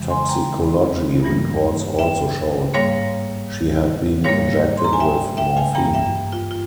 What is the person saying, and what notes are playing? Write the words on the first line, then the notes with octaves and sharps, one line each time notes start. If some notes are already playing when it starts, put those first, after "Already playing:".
Toxicology reports also showed she had been injected with morphine.
Already playing: F2 C#3 E3 G#3
G#5 C6
G5 A#5
G2 E3 G3 A#3
E5 G5
G#2 G3 A#3 C#5 F5
G#2 G3 A#3 C#5 F5
C6
A#5
G#5
E5 G5
E5 G5
F5 G#5
G2 E3 A#3 G5 A#5
E5 G5
F4
F4